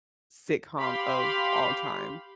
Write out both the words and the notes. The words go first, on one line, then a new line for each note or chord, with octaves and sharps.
sitcom of all time.
G4 F5 B5 C6